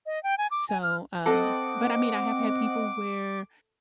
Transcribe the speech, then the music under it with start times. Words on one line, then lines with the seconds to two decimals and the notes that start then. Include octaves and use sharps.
so, um but, I mean, I have had people where,
0.06 D#5
0.23 G5
0.38 G#5
0.51 D6
0.69 G#5
0.83 F6
1.26 C4 A4 D#5 F#5 D6